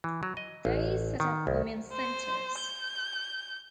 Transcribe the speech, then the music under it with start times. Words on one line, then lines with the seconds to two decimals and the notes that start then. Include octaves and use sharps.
They set up women's centres.
0.04 E3
0.23 F#3
0.37 D#5
0.65 A1
1.20 D#3
1.47 C2
1.92 C5
2.59 G6